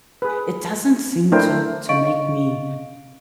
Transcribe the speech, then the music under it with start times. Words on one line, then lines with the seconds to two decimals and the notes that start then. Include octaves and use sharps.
it doesn't seem to to make me
0.22 G#4 B4
1.32 A3 D4 E4 A#4 C5 G5
1.89 D#5 F5 C#6 D7